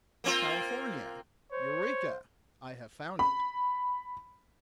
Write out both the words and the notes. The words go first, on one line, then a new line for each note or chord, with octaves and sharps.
California--Eureka: I have found it.
A#3 C4 F4
C5 C#5
B5